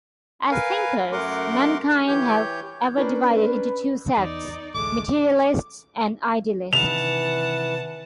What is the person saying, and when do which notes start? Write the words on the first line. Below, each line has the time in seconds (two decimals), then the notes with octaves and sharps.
As thinkers, mankind have ever divided into two sects, materialists and idealists.
0.51 A#4 B4 F5 G#5
1.12 F#2 A3 A#4 F#5 C6 D6
2.08 E3 G4 C#5 G6
2.97 C#4 D4 A#4 B4
4.17 E2 D#4 D5
4.74 A1 D2 G#3 A3 D6
6.73 C3 D#3 E3 B4 F#5 A5 F7